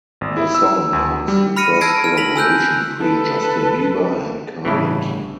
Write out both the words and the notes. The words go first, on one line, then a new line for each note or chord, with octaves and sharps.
The song marks the first collaboration between Justin Bieber and Khalid.
G#1
E4
E6
D2
G3
B5 F6 A#6 C#7 D#7
A5 E6 G#6 A#6 C7 D7
F6
A#6 B6 F7 F#7
G#5 E6 F#6 G6
A4 B4
G1 A2 C#3 E3